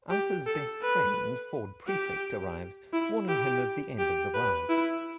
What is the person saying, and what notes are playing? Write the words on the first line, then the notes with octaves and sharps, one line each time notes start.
Arthur's best friend, Ford Prefect, arrives, warning him of the end of the world.
G4
A4
B4
G4
E4
G4
G4
B4
E4